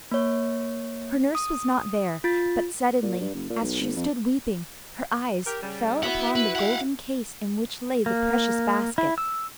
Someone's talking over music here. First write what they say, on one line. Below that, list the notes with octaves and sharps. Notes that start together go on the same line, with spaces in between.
Her nurse was not there, but suddenly, as she stood weeping, her eyes fell upon the golden case in which lay the precious basket.
A#3 C#5
D#6
F4 A6
A#2
G2
F#1
A#2
B1
G#1
F2
G4 A#4
C#3 G3
E4 F#4 B4 F#5
B4
F5 F#5
A#3
E4
E6